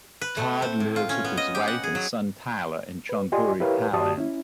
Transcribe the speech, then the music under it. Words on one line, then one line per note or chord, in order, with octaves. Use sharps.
Todd lives with his wife and son Tyler in Chonburi, Thailand.
B4
A3
C4
A2
F4
C#4
B3
D#5
G4
F#5
G#4
F#3
B4
F4 G4 D5 D#5 G#5 C6
E4 G4 A#4 B4 C#5 F5
G2 F#4 G4 D5 A5 D#6
C#4 E4